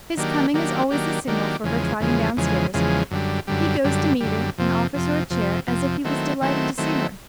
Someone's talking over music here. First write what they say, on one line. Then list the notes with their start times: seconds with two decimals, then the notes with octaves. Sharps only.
His coming is always the signal for her trotting down stairs; he goes to meet her and offers her a chair, as if he was delighted to see her.
0.17 D#3 F#3 A#3 D4 G4
0.54 D#3 F#3 A#3 D4 G4
0.91 D#3 F#3 A#3 D4 G4
1.27 D#3 F#3 A#3 D4 G4
1.64 E2 C#3 F3 G#3
2.00 E2 C#3 F3 G#3
2.37 E2 C#3 F3 G#3
2.74 E2 C#3 F3 G#3
3.11 F#2 D3 G3
3.47 F#2 D3 G3
3.84 F#2 D3 G3
4.21 F#2 D3 G3
4.58 F2 C3 F3
4.94 F2 C3 F3
5.31 F2 C3 F3
5.67 F2 C3 F3
6.04 D#3 F#3 A3 C4 E4
6.41 D#3 F#3 A3 C4 E4
6.78 D#3 F#3 A3 C4 E4